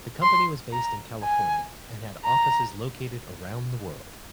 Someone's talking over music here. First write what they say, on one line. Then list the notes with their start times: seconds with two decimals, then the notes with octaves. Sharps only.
The company was based in California and had offices located around the world.
0.22 C6
0.73 A#5
1.23 G#5
2.24 A#5